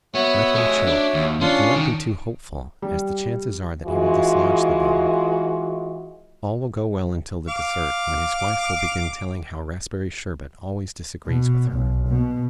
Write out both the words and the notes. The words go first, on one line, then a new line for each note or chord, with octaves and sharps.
Let him choke, but do not be too hopeful, as the chances are that he will dislodge the bone. All will go well until the dessert, when his wife will begin telling how raspberry sherbet always disagrees with her.
B3 F#4 C#5 E5
A3 D#5
D4
D#2
C#4 D4 F4 C6
D#3
G3
E3 G#3 F4 F#4
F5 D6
B2
B1
B2